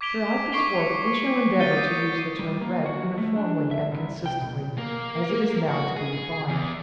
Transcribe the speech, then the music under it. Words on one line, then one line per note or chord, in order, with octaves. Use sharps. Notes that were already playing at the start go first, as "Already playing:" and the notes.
Throughout this work we shall endeavor to use the term rent uniformly and consistently as it is now to be defined.
D6 G#6 B6 D7 F7 G7
C#6 D6 C7 D7 F7 G7
C#7
C#6
G6 A6 C#7 D#7 G7
D#6 G6 C7 D#7
G3
A#3
F#4
A3
D4
E5
C2
G5
B2
A#3
F#4
G#4
E2